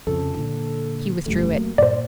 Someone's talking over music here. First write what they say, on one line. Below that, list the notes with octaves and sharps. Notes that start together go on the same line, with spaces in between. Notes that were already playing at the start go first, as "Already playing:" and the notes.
He withdrew it.
F2 C#3 F3 A4
A#2 D3
E1 F#2 G3 A3
F#3 A#3
G2 A#2 C5 D5